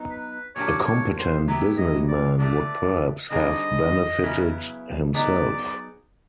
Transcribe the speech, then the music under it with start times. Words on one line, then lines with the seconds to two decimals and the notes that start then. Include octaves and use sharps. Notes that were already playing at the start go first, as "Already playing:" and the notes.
A competent business-man would perhaps have benefited himself.
Already playing: F#3 B3 D#4
0.10 B4
0.56 A#2 F#3 A#3 D4 G4 C#5
0.86 C#5
1.17 C5
1.48 F#3 B3 E4 G4 B4
1.77 D#5
2.08 D5
2.39 A2 E3 A3 D5
3.30 D3 G3 C4 D#4 G#4 D#5
4.23 C#3 F#3 B3 E4
5.14 F#3 B3 D#4 G#4 D5